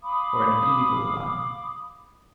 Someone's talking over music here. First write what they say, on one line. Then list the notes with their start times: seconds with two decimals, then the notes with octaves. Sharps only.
Or an evil one?
0.01 F5 B5 D6 D#6